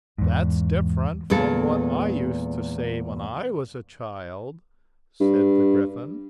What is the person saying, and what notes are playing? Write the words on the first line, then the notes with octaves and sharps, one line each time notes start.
'That's different from what I used to say when I was a child,' said the Gryphon.
E2 G#2
E2 A#2 G#3 A4
G2